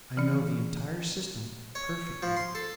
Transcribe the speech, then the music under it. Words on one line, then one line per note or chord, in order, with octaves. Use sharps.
I know the entire system perfectly.
D3 E3 C#4
C#5
F3
C6
A4